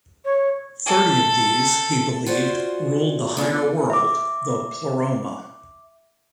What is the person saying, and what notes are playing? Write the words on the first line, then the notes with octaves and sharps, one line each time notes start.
Thirty of these, he believed, ruled the higher world, the "pleroma".
C#5
A4
F4 F#4 G#4 C5 D5
B3 D4 F4 A4
E5 D6